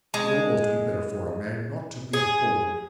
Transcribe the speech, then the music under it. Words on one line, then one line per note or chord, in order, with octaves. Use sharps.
It would almost be better for a man not to be born.
G#3
G#4